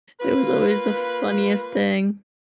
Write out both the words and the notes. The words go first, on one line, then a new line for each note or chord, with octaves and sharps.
It was always the funniest thing.
A#3 F4 B4